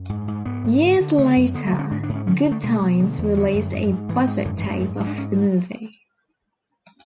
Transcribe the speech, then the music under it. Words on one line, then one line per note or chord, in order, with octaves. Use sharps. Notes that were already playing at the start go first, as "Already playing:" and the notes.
Years later, Goodtimes released a budget tape of the movie.
Already playing: F#2
G#2
G#2
G#2 B3
G#2
D3
D3
C#3 A3
F#2
D3 B3
A3
D3
C#4
G#2 D4
D4
G#2
C#4
D3 C#4
D3
A3
B2 G#3
B2
D3
E2
D3 F#3
F#2
G#2
G#2
G#2 E3
G#2
F#2 D3
E3
F#2
A3
G#2
G#2
D4
C#4